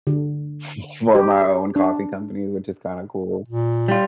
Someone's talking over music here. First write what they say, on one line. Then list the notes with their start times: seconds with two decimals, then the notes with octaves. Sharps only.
f for my own coffee company, which is kinda cool.
0.07 D3
1.15 G4
1.76 D4
3.48 A#2
3.88 G3 F4